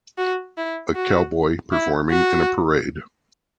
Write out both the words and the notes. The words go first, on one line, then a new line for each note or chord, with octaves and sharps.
A cowboy performing in a parade.
F#4
E4
F#4
E4
F#4